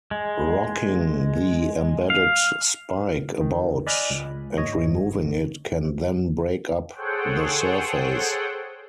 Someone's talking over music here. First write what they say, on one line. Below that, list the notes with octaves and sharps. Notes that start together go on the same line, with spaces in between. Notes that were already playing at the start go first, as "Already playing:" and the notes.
Rocking the embedded spike about and removing it can then break up the surface.
G#3
F5
D#3
D5 D#5 G#5 B5 F6 F#6
C#2
G#2 C#5 D#5
G1
G#4 A4 C5 C#5 F#5 G5